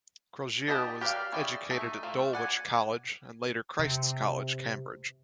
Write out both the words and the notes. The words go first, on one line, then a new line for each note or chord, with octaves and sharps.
Crozier was educated at Dulwich College, and later Christ's College, Cambridge.
D4 D#4 G4 D#5 A5
G4 A#4 B4 D5 F5
C#4 E4 G#4 D5 G5
A3 D#4
F3 A3
D5 F#5 G#5
C3